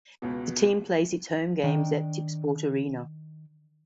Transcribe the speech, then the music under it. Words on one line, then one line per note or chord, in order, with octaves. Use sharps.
The team plays its home games at Tipsport Arena.
C#2 B2
D#3 D4 G5